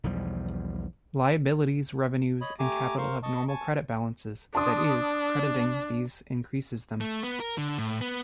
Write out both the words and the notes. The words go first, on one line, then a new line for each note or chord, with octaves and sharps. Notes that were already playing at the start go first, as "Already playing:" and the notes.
Liabilities, revenues, and capital have normal credit balances, that is, crediting these increases them.
B1 E2 F3 G3
C#5 D#5 B5
A3 G4 G#5 A#5 D6
A#4 C5 F5 C6 C#6
D#5 A5 C#6
G#5 A5 C#6
D4 A5 C6 D#6
A3
B3
A#4
D3
A2
B3